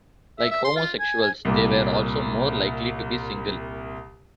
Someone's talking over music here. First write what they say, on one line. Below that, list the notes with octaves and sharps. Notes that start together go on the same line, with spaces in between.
Like homosexuals, they were also more likely to be single.
E5
E5
C6
F4
G#5
G#5
C2 A#2